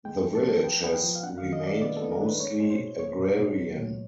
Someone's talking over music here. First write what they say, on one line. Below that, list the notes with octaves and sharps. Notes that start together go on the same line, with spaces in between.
The village has remained mostly agrarian.
G#3 G5
F3
A5
B3
B3 G5
B3
G5
F3
F5
D4 F#5
F5
D#3
D#5
D4 D5
B3 D5
B3 A4
A#4
D4
B4
G#3 C#5
G#3
C5
B2
B3 C#5
B2
B2
F#3
A#2